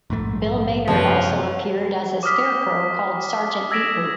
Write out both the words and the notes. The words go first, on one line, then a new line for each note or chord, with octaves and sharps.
Bill Maynard also appeared as a scarecrow called Sergeant Beetroot.
A#1 G#2 A3
F#2 C3 F3 B4 C#5
D6 D#6 F6 B6
E6 G#6 A#6 B6 D7 E7